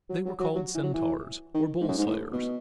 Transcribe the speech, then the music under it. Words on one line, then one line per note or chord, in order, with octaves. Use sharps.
They were called Centaurs, or Bull-Slayers.
F#3
F#3
F#3
F#3
E3
F#3
E3
D#3
G#2
F#2
G#2
A2
B2